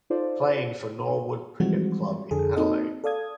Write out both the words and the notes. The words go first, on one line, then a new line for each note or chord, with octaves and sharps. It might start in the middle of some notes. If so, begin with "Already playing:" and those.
Playing for Norwood Cricket Club in Adelaide.
D#4 F4 A4 C5 D5
E3 F3 G3 G#3 C4 F#4
F2 D3 G#4 A4
A#3 C4 D#4 F#4 A4 D#5
A4 D5 F5 D#6 G#6